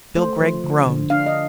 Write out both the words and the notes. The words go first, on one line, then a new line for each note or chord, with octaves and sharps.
Bill Gregg groaned.
A3 C5
F3
D3
D3
D4 F5
D#5